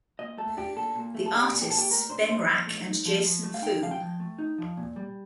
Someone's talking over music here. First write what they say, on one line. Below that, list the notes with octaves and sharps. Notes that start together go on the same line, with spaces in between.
The artists Ben Rak and Jason Phu.
A#2 D#5
A3 A4
D4 G4
A#2 A4
A#2
A3
A4
D4 G4
A#2
G4
A#2 A4
G4
A3 A#4
D4 C5
A#2 C5
F3
A3
D#4
F3
F3
A3
F5
D#4 G5
F3 F5
G5
F3
A3
D#4
F3
A#2
G3